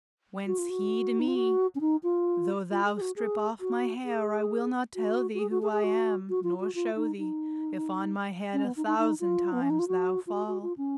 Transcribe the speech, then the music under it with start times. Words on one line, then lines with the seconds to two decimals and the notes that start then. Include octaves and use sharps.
Whence he to me: "Though thou strip off my hair, I will not tell thee who I am, nor show thee, If on my head a thousand times thou fall."
0.46 F#4
0.58 F4
0.70 F#4
1.19 D#4
1.28 F4
1.35 F#4
1.75 C#4
1.81 D#4
2.03 F4
2.71 F4
2.85 G#4
2.96 G#4
3.01 F#4
3.16 G#4
3.60 F#4
4.05 G#4
4.95 F#4
5.34 F#4
5.39 G#4
5.51 F#4
5.62 G#4
5.73 G#4
5.84 F#4
6.29 F#4
6.44 F4
6.60 F#4
6.75 F4
6.96 D#4
7.18 D#4
8.53 C#4
8.64 B3
8.76 D#4
8.86 D#4
8.98 D#4
9.20 F4
9.52 B3
9.62 C#4
9.70 D#4
9.79 F4
9.88 F#4
10.27 F4
10.32 F#4
10.47 F#4
10.63 F4
10.78 C#4